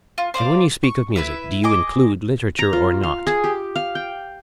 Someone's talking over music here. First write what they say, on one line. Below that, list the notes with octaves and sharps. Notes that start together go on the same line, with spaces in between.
And when you speak of music, do you include literature or not?
F4
C5 D5 D#5 F5
C#6
E4 B4 E5
G#4 D#5 D6
A#5
F4
F5
G#4
G4
F5
G5